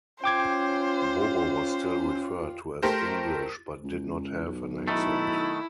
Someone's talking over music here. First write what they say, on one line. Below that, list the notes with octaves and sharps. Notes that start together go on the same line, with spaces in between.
Bobo was still referred to as English but did not have an accent.
C#4 F4 C5 G5 D6 G#6
A3 G4 A#4 C5
C#2
B1
D#3 A3 E4